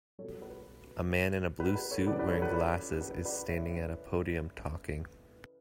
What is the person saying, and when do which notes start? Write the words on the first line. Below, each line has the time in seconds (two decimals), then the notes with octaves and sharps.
A man in a blue suit wearing glasses is standing at a podium talking.
0.19 B2 G3 A4 C#5
0.42 B4
1.60 B4
1.75 B4
1.91 A4 C#5
2.07 C#3 E3 G3 B4 D5
2.19 B4 D5
2.30 A4 C#5
2.42 B4 D5
2.54 B4 D5
3.01 B4
3.25 B4 D5
3.48 C#5 E5